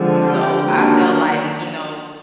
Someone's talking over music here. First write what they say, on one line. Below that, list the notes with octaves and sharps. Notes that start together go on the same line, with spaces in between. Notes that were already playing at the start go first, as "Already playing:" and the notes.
So I felt like, you know,
Already playing: D3 F3 G#3 C4
G4 G5
D#3 F#3 A#3 D4